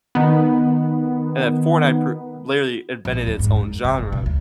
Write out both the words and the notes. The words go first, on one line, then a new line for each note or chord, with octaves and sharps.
and then Fortnite pr literally invented its own genre,
D#3 B3
A#1
E2
G#2
F#2
C3
F#1
B2
D2